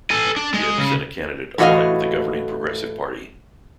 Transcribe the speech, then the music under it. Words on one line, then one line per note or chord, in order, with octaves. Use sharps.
Gibbs and a candidate aligned with the governing Progressive Party.
A4 G#5
D4
G#3
C#3
A2 E3 F#4 D5 D#5 F5